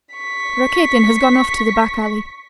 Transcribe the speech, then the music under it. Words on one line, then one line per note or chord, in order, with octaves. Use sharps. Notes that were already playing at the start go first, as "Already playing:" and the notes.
Rakitin has gone off to the back alley.
C#6 B6